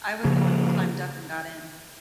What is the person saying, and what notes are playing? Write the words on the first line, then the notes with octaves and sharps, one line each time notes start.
I was the one who climbed up and got in.
C#3 F3 A#3